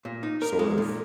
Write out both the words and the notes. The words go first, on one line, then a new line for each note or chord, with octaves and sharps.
sort of
A#2
D#4
A#4
G#3
A#2